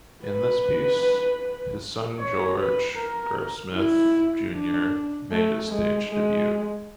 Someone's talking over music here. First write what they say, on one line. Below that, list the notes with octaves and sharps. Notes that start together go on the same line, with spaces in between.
In this piece, his son George Grossmith Junior made his stage debut.
B4
C#5
B4
A#4
E4
D4
A3
G#3
G#3